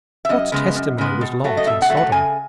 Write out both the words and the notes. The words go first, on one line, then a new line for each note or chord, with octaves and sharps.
What testimony was Lot in Sodom?
E5
F#2 D#5
C#3 G#3 B3
F#2
C#3 G#3 B3
B2
F#3 A3
D#5
B2 E5
F#5
F#3 A3
F#5
C#3 G#5